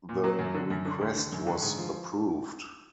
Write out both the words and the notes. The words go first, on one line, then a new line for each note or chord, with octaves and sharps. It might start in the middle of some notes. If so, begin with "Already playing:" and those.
The request was approved.
A#2
F#3
F#2
D3
F#2
D3
D2
D3
F#2
D3
G#2
F3